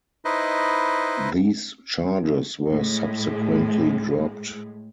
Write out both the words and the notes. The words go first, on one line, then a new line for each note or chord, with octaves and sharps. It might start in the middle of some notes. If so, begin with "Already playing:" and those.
These charges were subsequently dropped.
D#4 E4 B4 C5 D#5
A2 G#3